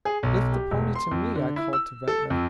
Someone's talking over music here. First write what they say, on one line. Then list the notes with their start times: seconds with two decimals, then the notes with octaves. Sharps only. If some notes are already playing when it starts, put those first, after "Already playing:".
"Lift the pony to me," I called to Ventnor.
0.05 G#4
0.23 B1
0.52 G4
0.71 E1
0.95 C6
1.11 F2
1.36 D3
1.56 E4
1.73 E6
2.08 A4
2.30 F2